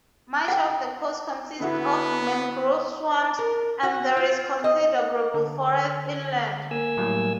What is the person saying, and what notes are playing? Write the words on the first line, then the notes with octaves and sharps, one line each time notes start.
Much of the coast consists of mangrove swamps, and there is considerable forest inland.
F#5 G5
D3 B3 E4 F#4
A#4
F#4
F4
D#5
D3
A#3 G#5 E6
A2 F#3 G3